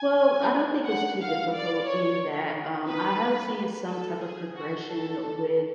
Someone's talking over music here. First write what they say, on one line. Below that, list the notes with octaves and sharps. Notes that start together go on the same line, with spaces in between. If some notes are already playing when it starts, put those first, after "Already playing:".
Well, I don't think it's too difficult being that, um, I have seen some type of progression with,
Already playing: G#5
F#5
F5
D5
C#5
B4
A4
G#4
F#4
A4